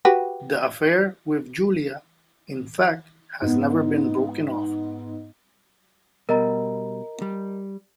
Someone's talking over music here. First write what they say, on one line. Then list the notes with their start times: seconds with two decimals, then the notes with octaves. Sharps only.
The affair with Julia, in fact, has never been broken off.
0.05 F#4 G4 B4
3.42 G#2 B3
6.29 B2 G3 A#4 D#5 A#5
7.22 G3